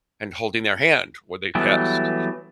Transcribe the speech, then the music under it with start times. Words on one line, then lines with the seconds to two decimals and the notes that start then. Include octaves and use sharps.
and holding their hand when they passed.
1.55 E3 F#3 G3 A3 B3